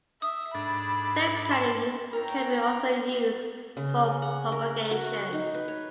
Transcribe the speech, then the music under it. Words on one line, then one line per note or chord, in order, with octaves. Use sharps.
Stem cuttings can be also used for propagation.
E5 D#6
G#2 D4 A4 B5
A5 C6
E4 A#4 C#5 G5 A#5
C#3
C#4
F#5
A#4
F#4
D#4
B4
C#5